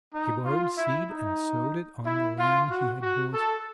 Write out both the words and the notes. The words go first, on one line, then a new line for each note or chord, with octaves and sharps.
He borrowed seed, and sowed it on the land he had bought.
D#4
F4
E4
D#4
E4
F4
F#4
F#4
A4